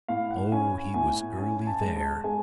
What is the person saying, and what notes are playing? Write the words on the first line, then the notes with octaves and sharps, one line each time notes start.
Oh, he was early there.
A2 F5
F#5
C#4 G#5
A2 G#5
C#4 G#5
A5
G#3
A5
G#3 G#5